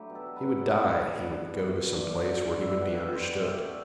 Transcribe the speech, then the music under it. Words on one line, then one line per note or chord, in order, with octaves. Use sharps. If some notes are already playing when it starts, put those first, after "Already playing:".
He would die; he would go to some place where he would be understood.
Already playing: F#3 A3 D4 E4 G4
B2
A4
F#3
B4
F#3
G3 D5
G3
G3
G3
G3 F#5
B2
B2
B2
A3 D5
D3
D3
D3
G3 E5
B2
F#5
B2
G5
G3
C5
B2 D5
A3 E5
D5
A3